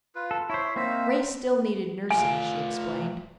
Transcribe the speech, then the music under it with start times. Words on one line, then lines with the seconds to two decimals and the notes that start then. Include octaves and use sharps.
Ray still needed nursing, she explained.
0.15 F4 B4
0.31 A4
0.50 E4 C5 C#5 E5
0.76 A#3 C4 D#4 C5 E5
2.11 A3 F4 G#5